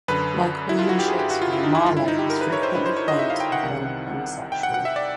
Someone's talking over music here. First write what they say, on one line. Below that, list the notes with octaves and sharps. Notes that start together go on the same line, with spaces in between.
Like William Shakespeare, Marlowe is frequently claimed to have been homosexual.
F#2 D3 B4
E4
F4
F#4
G4
G#4
G4
F#4
F4
E4
D#4
E4
G2 D3 F4
E4
D#4
G4
A#4
B4
C#5
C5
B4
C5
C#5
D#5
E5
F5
G5
F#5
C2 C3 D#3
G5
F#5
F#5
E5
D5